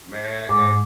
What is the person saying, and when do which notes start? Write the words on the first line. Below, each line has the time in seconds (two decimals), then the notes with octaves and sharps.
man and
0.49 G#2 D6